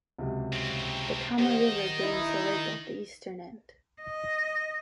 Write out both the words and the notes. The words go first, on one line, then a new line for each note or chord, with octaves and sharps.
The Tama River drains the lake at the eastern end.
C#2 C3 F#3
C#3 C4
D#3 G4 C5 D#5 F#5
D#4 E4
D#5